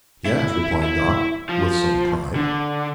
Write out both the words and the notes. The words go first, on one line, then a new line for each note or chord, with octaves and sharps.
"Yes," replied Dot, with some pride.
E4
E4
F3
D3